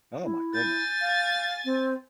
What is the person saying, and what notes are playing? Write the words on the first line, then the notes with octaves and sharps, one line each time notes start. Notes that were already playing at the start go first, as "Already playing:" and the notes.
Oh, my goodness.
E4
G#5 G6 A6
F5
C4